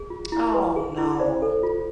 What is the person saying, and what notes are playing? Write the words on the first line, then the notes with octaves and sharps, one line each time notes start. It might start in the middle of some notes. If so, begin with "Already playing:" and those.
Oh, no.
Already playing: G#4
F4
E4
B4
G#4
E4
C5 D5
A4
F4